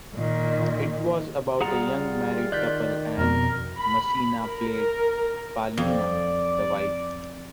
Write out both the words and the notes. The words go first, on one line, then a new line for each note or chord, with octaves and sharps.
It was about a young married couple and Masina played 'Pallina', the wife.
A#2 D#3
G3 F4 G#4 F#5 A#5
D#3 D5 F#6 G6 B6
F2 B2 A#4
B5
A#4
F2 D5